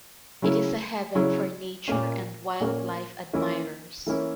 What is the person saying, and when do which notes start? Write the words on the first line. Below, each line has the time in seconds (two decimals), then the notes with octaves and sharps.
It is a heaven for nature and wild life admirers.
0.42 C#3 F#3 C#4 E4
1.15 C#3 F#3 C#4 E4
1.88 A#2 A#3 C#4
2.60 A#2 A#3 C#4
3.33 E3 A#3 C#4 E4
4.07 E3 A#3 C#4 E4